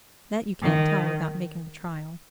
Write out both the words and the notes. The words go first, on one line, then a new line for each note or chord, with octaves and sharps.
"That you can't tell without making the trial."
D#3